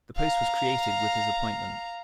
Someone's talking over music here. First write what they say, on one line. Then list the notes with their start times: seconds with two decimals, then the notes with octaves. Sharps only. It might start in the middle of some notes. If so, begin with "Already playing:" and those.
The post was created with his appointment.
0.16 F5 A#5